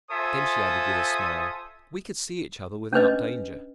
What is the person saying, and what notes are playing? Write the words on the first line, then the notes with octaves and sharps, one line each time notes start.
Then she added with a smile: "We could see each other without danger."
F4 A4 C5 E5 G#5 D#6
C#4 D4 B4 D#5